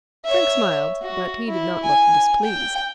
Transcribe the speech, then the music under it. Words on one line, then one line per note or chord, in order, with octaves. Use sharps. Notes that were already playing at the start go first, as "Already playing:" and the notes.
Frank smiled, but he did not look displeased.
C#5 E5
F#4
E4
G#5
G5